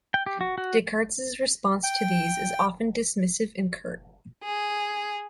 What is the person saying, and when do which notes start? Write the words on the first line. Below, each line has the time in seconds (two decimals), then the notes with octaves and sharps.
Descartes' response to these is often dismissive and curt.
0.14 G5
0.26 G4
0.41 F#4
0.58 F#4
1.84 G5
4.44 G#4